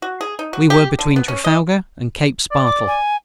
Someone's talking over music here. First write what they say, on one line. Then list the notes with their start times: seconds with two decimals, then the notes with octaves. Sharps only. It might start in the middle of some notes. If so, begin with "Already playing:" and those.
We were between Trafalgar and Cape Spartel.
0.02 F#4
0.21 G#4
0.39 D#4
0.53 F#4
0.70 G4
0.99 D3
1.16 B3
1.28 C#4
1.44 D#5
2.51 D5
2.66 D6
2.87 G#5